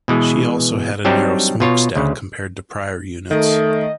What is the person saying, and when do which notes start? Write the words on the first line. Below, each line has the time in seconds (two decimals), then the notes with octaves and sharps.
She also had a narrow smokestack compared to prior units.
0.08 B2 E3 G#3
1.05 F#3 G3 C4 D4 D#4 G4
1.60 B2 F4 C#5
1.95 D2 C#3
3.31 D#3 A3 A4 D#5